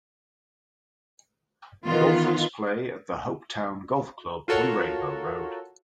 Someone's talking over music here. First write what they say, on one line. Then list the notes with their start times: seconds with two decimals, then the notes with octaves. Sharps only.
Golfers play at the Hopetoun Golf Club on Rainbow Road.
1.87 D#3 E3 B3 F4
4.48 F4 F#4 A4 A#4 C#5